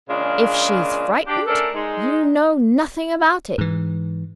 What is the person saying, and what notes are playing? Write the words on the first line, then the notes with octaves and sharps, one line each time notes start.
If she's frightened--you know nothing about it.
A#2 C#3 G#3 C#4 D4 F4
D4 G4
A3 C#4 D4 A4 A#4
G#3 D#4
G#2 E3